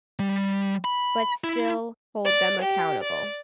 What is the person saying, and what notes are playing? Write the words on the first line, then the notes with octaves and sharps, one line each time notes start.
but still hold them accountable.
G3
B5
E4
D5
G4
D5